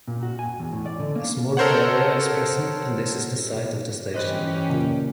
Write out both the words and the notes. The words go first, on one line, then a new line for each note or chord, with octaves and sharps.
A small play area is present and this is the site of the station.
A#2
F#4
G#5
E2
A2
D5
D3
A#3
A4 A#4 C5 C#5 F#5
E3 C#4 G4 B4 C5 D#5
A#2 C#3